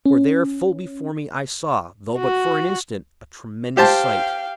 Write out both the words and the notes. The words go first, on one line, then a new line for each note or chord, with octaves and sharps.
For there full before me I saw, though but for an instant, a tremendous sight.
C#4
F#4
G4 C5 F5 G5 A5